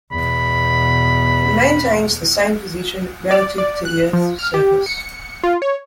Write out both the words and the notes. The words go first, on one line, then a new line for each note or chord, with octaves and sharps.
It maintains the same position relative to the Earth's surface.
E2 B2 B5
D5
D5
F#6
F3
F6
G4
C#7
F4
C#5